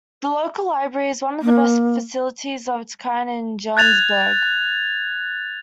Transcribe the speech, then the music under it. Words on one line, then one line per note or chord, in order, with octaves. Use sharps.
The local library is one of the best facilities of its kind in Johannesburg.
A#3
F#6 G#6 A6 F7